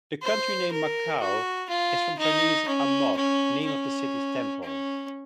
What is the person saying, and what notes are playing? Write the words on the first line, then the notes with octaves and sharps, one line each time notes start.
The country name Macau is from Chinese "A-mok", name of the city's temple.
C5
A#4
F#4
F4
D#4
C#4
C#4
C#4
C#4